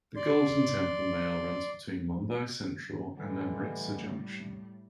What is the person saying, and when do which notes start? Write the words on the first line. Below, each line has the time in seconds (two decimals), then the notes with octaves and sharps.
The Golden Temple Mail runs between Mumbai Central and Amritsar Junction.
0.16 D5 C6
3.17 A2 D3 E3 G3 G#3